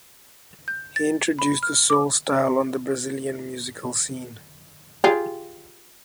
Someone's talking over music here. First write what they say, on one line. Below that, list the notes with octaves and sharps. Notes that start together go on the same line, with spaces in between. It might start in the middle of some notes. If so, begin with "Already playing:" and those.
He introduced the soul style on the Brazilian musical scene.
G6
A6
B5
F6
D6
F4 G4 G#4